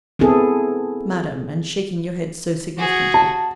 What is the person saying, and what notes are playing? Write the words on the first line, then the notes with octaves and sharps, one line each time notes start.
Madam, and shaking your head so significantly?
B3 C4 E4 G#4 A4
F#4 G#4
A5